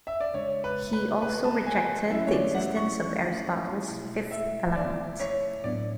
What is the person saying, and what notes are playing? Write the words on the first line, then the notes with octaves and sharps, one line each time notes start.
He also rejected the existence of Aristotle's fifth element.
E5
D5
C#3 G#3 D4 C#5
B4
B4
B4
A5
G#5
F#3 A3 C#4 E4 E5
C#5
D5
F#5
C#6
B2 A3 E4
E5
D5
C#5
A2 F#3 B3 D4 D5